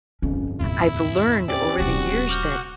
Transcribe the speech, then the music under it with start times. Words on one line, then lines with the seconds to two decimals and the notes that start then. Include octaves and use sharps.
I've learned over the years that
0.22 G1 F2 C#4
0.60 D#2 A2 E4
1.48 C4 C#4 G4 D5
1.78 D#1 C3 F#4
2.29 D6 F6 G6